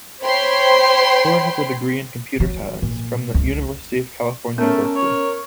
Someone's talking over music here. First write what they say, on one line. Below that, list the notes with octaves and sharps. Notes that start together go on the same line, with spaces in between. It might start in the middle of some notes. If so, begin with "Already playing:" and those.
Moore has a degree in computer science from the University of California, Berkeley.
C5 C#5 G5 B5 C6
F#3
A#2
C#2
A3 B3 C#4 A#4
C#5